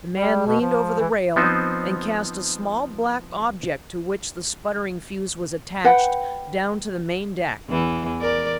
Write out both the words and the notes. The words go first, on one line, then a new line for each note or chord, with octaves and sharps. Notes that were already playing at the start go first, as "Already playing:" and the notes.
The man leaned over the rail and cast a small black object to which the sputtering fuse was attached, down to the main deck.
G3
B2
F3
E3
F3 B3 C4 D#4 C5
B4 F#5 G5
E2 E3
A#4 D5